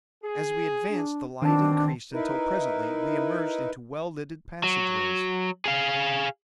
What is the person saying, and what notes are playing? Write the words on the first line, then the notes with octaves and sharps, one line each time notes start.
As we advanced the light increased until presently we emerged into well-lighted passageways.
G#4
D4
B2 D#3 C4 D4 A5
D#4 E4 A#4 B4
F#3
G#4 F5